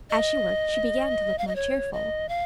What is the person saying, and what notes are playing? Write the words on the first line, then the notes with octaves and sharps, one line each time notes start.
As she worked she began to look more cheerful.
D#5
F5
D#5
C#5
D#5
F5